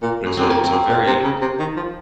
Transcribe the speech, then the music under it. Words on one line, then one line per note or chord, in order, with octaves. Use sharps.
but it's a it's a very
A#2
F#2
F#2 C4
F2 A#3
C4
F#2
A#2
C3
C#3
C3
D#3
F3